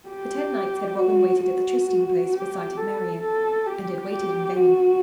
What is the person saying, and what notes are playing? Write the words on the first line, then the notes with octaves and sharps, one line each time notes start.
For ten nights had Robin waited at the trysting place for sight of Marian; and had waited in vain.
G4
F#4
F#4
G4
A4
A4
G4
G4
F#4